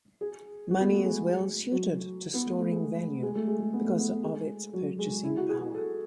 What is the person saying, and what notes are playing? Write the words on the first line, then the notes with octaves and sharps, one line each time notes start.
Money is well-suited to storing value because of its purchasing power.
G#4
F#4
B3
A3
G#3
F#3
B3
A3
A3
G#3
G#3
A3
G#3
A3
B3
A3
B3
A3
G#3
F#3
G#3
E4
F#4
G#4
F#4
A4